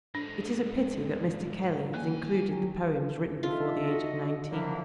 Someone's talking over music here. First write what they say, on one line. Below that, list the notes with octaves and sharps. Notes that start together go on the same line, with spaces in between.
It is a pity that Mr. Kelly has included the poems written before the age of nineteen.
G#2 D3 D4
E2 A#3 G#5
F#3 G4
D#4 F4 A4 E5
F#4 D#5
F3 F#3 A#3 D4 E4